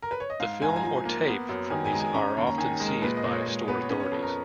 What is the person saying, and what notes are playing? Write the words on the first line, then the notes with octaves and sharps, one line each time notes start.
The film or tape from these are often seized by store authorities.
A#4
B4
C#5
D#5
G#2 F5
G#2 G#5
A#5
G#5
F3 A#5
A#3
B3
F#2
D#3 G#5
G#5
G#3 A#5
G#5
C#4 A#5
D#2
A#5
D#3 G#5
G#3
A#4
A#2 B4
D#5
A#2
C#5
G#3 C#5
B3 B4
C#5
C#4 B4
C#5
F2
A#4